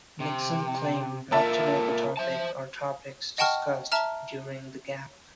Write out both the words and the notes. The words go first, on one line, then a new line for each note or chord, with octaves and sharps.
Nixon claimed not to know the topic or topics discussed during the gap.
C3
A#3 F4 A4 A#4 E5 A5
C5 E5 A5
D#5 F#5 G5 A5 C#6 F6
E5 A5 A#5 F6